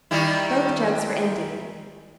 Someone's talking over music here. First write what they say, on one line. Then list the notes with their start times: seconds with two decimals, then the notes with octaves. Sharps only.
Both jugs were empty.
0.11 D#3 G3 E4